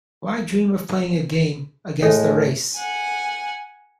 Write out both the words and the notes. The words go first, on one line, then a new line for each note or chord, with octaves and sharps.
Why dream of playing a game against the race?
A2 G#3 A4 C#5 G5
F#5 G#5